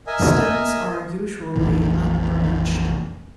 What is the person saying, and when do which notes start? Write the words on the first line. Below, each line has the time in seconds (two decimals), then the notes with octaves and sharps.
Stems are usually unbranched.
0.07 A#4 D#5 E5 G#5
1.56 F1 A#1 A#2 E3